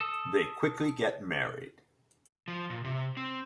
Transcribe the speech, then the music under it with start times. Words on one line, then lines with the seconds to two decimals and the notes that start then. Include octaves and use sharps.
They quickly get married.
0.01 A4 D#6
2.48 F3
2.70 A#2
2.84 C3
3.17 C4